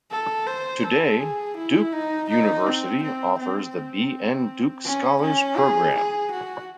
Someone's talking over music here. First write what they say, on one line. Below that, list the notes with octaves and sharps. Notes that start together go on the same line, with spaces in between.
Today, Duke University offers the B. N. Duke Scholars program.
A4
C5
A4
G#4
E4
D#4
D#4
C4
C4
C4
C4
C#4
C#4
G#4
G#4
F#4